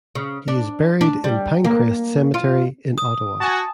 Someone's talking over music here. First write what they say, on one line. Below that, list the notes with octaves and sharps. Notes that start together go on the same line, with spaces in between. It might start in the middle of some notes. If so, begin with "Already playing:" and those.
He is buried in Pinecrest Cemetery in Ottawa.
C#3
D4
D4
G3
A#3
F4
D#6
F#4 G#5 A5